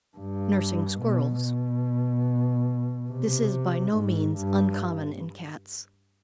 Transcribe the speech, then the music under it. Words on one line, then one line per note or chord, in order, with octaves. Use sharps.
NURSING SQUIRRELS.--This is by no means uncommon in cats.
G2
B2
B2
C3
G#2
G2